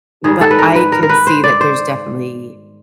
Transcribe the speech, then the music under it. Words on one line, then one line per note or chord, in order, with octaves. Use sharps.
but I can see that there's definitely,
G#2 D#3 G3 G#4
A4
B4
A#4
B4
A#4
A#4
B4
C5
D5
C5